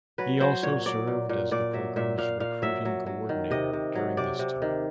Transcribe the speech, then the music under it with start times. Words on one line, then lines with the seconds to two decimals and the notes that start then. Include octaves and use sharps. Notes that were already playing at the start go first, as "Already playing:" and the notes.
He also served as the programs recruiting coordinator during this time.
0.18 F#3 B4
0.41 F#3 C5
0.63 A#2 C#5
0.86 F#3 D5
1.07 A#2
1.29 A#2
1.51 A#2 D5
1.73 F#3 E5
1.96 A#2 E5
2.18 A#2 F5
2.40 A#2 F5
2.62 F#3 E5
2.85 F#3
3.07 F#3
3.29 D#3
3.51 C3 D#5
3.73 C3
3.95 F#3
4.17 C3 D5
4.39 C3
4.62 D#3